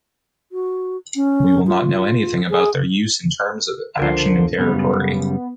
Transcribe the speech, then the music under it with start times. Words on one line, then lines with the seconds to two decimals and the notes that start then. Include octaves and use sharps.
We will not know anything about their use in terms of action and territory.
0.52 F#4
1.16 C#4
1.67 F4
2.50 G#4
3.99 C#2 D3 F3 A#4 C5
4.58 F#2 C#3 G3 B3